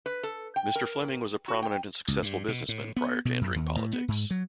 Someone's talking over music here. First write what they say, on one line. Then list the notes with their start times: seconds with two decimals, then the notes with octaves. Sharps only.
Mr. Fleming was a prominent and successful businessman prior to entering politics.
0.06 B4
0.23 A4
0.56 G5
0.75 A#4
1.48 F#4
1.63 G5
2.08 C#2
2.22 G2
2.48 B2
2.69 A2
2.96 B3
3.25 B2
3.41 F#2
3.56 D#2
3.76 A2
3.93 B3
4.08 G#2
4.31 F#3